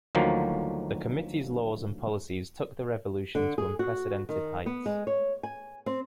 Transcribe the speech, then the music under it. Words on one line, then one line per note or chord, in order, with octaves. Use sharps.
The Committee's laws and policies took the revolution to unprecedented heights.
D2 D3 D#3 F3 F#3 A#3
D3
G#4
F#4
D#3
B3
G#3
C#5
G#5
C4